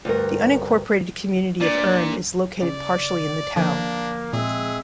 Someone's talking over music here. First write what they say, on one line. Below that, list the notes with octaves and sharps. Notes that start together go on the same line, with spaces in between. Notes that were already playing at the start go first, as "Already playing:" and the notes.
The unincorporated community of Urne is located partially in the town.
D2 G2 A#4
A#2 D4 D5
C#3 D5
D3 F3 A#3 D4
A#2 G#3 C4 G#4 E5